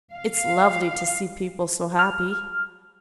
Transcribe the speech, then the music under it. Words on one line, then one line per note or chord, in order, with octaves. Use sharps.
It's lovely to see people so happy.
F5
F6